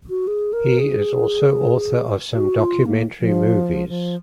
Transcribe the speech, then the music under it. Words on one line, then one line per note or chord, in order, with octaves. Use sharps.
He is also author of some documentary movies.
F#4
G#4
A#4
G#4
F#4
F4
A#3
F3
F3